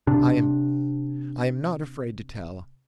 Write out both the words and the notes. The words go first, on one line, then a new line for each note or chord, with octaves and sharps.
I am--I am not afraid to tell.
C3 D4